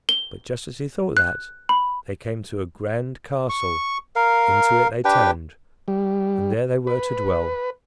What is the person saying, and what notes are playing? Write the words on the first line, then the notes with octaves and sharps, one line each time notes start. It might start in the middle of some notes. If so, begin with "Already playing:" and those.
But just as he thought that, they came to a grand castle; into it they turned, and there they were to dwell.
G7
F#6
B5
C#6
A#4 F5
D4 G4 B4 G5
G3
B4